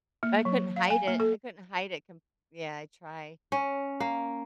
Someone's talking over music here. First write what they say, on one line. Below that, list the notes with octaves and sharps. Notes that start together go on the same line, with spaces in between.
I couldn't hide it; I couldn't hide it com Yeah, I try.
A#3
F#3
F5
G#5
A#3
A4
C#4
A#3